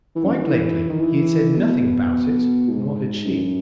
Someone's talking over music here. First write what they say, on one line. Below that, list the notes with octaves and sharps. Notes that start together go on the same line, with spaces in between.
Quite lately he had said nothing about it,--nor had she.
E3
F#2
D#3
E3
D#3
E3
B2
G#2
F#2